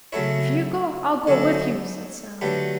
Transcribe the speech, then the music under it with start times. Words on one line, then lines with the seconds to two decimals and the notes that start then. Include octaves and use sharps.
"If you go I'll go with you," said Sam.
0.12 C#3 F#3 A3 E4 C#5 E5
1.27 D3 F#3 C#4 E4 A4 C#5
2.41 D3 F#3 A3 G4 B4